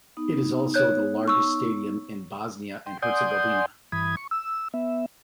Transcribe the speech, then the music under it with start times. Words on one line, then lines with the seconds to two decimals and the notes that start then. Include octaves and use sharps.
It is also the largest stadium in Bosnia and Herzegovina.
0.17 B3 D#4
0.74 C#5 F#6 G6
1.28 C#6 E6
2.86 G5 C6
3.02 D5 F#5 G#5 C6 D#6 G6
3.92 G2 E3 B5 D#6 G#6
4.17 C#6
4.31 E6
4.74 B3 E5